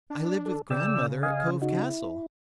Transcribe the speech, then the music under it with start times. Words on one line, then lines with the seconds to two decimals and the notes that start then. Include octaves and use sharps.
"I lived with grandmother at Cove Castle."
0.10 D4
0.46 A4
0.70 C#3 D5 G5 E6
1.23 D#5 F5 G#5
1.62 D#4 F#4
1.83 E4